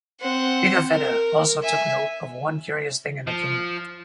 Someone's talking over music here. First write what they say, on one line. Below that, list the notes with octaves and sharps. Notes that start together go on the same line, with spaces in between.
Pigafetta also took note of one curious thing in the kingdom.
C4 F#5
A#4
E5 G#5
F3